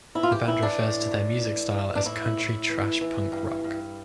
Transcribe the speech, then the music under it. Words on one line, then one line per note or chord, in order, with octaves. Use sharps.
The band refers to their music style as Country Trash Punk Rock.
E3 E4
F4
G4
E3 E4
D4
A2
A2
E3
E3
D4
A2 E4
A2
E3
E3
G2
G2